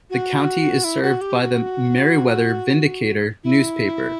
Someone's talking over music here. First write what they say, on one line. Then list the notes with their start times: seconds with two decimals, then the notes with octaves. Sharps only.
The county is served by the "Meriwether Vindicator" newspaper.
0.10 F#4
0.84 E4
1.03 F#4
1.21 G4
1.40 F#4
3.44 E4